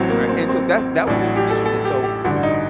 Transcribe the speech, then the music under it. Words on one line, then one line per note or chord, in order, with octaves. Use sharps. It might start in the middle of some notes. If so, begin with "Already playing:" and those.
Right? And so that that was the condition. And so
Already playing: A1 A2 F#3 C4
A#3
C4
C4
C4
A1 A2 F#3 D4
F#4
G4
A4
A4
G4
G4
A1 G2 D3 F#4
D#4